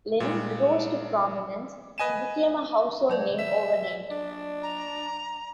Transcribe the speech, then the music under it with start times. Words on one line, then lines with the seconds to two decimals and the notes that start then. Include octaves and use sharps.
Lin rose to prominence and became a household name overnight.
0.20 A#2 G3 G#3
1.98 B4 D#5 G#5 D#7 E7
3.09 F#3 D5 D#5
3.39 E5
4.11 D4
4.62 A#5